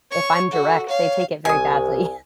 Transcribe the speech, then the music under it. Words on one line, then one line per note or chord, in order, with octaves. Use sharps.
if I'm direct, they take it very badly.
C#5 C#6
F#4 A4
C#5 F5
C2 G#5 D#6